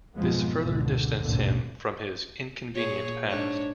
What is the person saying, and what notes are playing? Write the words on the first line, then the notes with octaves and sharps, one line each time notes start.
This further distanced him from his inconvenient past.
B1 F2 G#2 F3 G#3 B3
G#1 C#2 B2 D3
A1 D#2 G#2 B2 D3
A#2 G#4 C#5
G#2 D4 C#5